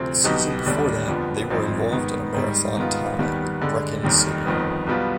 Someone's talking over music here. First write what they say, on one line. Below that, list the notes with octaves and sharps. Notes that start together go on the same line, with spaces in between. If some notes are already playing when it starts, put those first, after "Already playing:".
The season before that, they were involved in a marathon tie with Brechin City.
Already playing: D2 C3 F3 C4
B1 B2 B3 D#4 G4
D#2 D3 G3 D4
F2 D3 F3 B3
G#1 G2 F3 C4 D#4
G#2 D#3 B3
G#2 D#3 G3
G#2 D#3 B3 F4
D#2 D#3 G3 B3
G2 D3 G#3
F1 D#2 D#3 G3
G1 F2 D#3 B3
B1 B2 G3 B3 F4